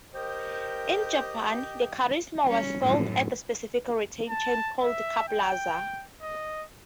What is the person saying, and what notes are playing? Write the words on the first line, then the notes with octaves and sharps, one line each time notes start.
In Japan, the Carisma was sold at a specific retail chain called "Car Plaza".
G4 A#4 C5 D#5 G5
G3 C#4
F#2 A2
A5
E5
G5
D#5